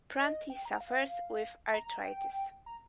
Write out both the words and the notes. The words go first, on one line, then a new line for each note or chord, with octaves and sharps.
Prunty suffers with arthritis.
D#5
G5
A#5
F5
A#5
G5
A#5